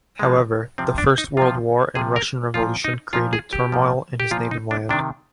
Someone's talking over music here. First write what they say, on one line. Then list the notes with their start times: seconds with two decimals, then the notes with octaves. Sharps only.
However, the first World War and Russian Revolution created turmoil in his native land.
0.19 C3 F3 G#3
0.78 C3 F3 C4
0.98 D4
1.18 D#4
1.37 C3 F3 F4
1.95 C3 F3 G#4
2.16 A#4
2.54 A#2 F3 F4
2.84 D#4
3.13 A#2 F3 F4
3.33 G#4
3.53 G4
3.72 A#2 F3
4.20 G4
4.31 A#2 F3 F4
4.51 D#4
4.71 D4
4.89 C3 D#3 D4